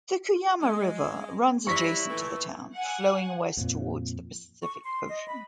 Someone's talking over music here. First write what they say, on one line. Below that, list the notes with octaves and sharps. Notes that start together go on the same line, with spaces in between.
The Cuyama River runs adjacent to the town, flowing west towards the Pacific Ocean.
G#3
F#3 G3 E4 C#6 A#6 B6
A#2 E3 A3
F#5 G#5
F2 A#2
C#6
C6
D#5
B5